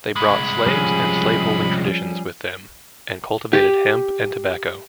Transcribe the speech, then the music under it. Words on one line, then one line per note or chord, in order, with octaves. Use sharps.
They brought slaves and slaveholding traditions with them, and cultivated hemp and tobacco.
C2 G#3 B5
F3 G3 C#4 G#4
G4